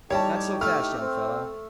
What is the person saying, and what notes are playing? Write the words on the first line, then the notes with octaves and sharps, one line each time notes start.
Not so fast, young fellow.
A2 G3 D#4 G4 C#5 A5
A3 F6
C4